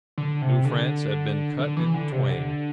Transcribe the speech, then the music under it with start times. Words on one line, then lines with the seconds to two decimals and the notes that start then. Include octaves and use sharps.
New France had been cut in twain.
0.18 D3
0.42 C3
0.65 D3
1.59 D3
1.77 E3
1.94 D3
2.12 C3
2.30 D3